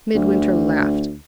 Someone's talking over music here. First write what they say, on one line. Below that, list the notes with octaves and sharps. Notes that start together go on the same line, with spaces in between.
Midwinter laughed.
D2